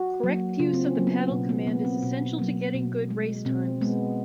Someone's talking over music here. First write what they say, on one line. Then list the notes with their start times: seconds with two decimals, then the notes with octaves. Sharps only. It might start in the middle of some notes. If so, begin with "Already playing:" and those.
Correct use of the paddle command is essential to getting good race times.
Already playing: F#4
0.23 F#3 A#3
0.59 C#3 F4
0.73 C4
0.84 C#4
0.95 F#3 A#3
1.07 B3
1.31 B2
1.49 B3
1.66 F#3 A#3 B3
1.85 C4
2.03 B2
2.39 F#3 A#3
2.74 B2
3.10 G#3
3.45 B2 C4
3.81 G#3 B3